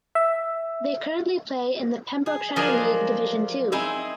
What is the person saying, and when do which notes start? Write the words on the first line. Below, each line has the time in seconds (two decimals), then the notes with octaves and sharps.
They currently play in the Pembrokeshire League Division Two.
0.15 E5
2.26 G#4
2.56 F3 F#3 D4 G#4 A#4 D#5
3.72 C4 D#4 E4 G#4